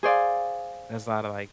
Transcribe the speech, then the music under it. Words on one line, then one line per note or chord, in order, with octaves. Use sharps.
there's a lotta like,
G#4 C5 D5 F5